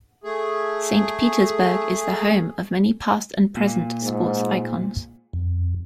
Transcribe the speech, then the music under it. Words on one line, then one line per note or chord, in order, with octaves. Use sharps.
Saint Petersburg is the home of many past and present sports icons.
A3 G#4
A#2
G#2
F2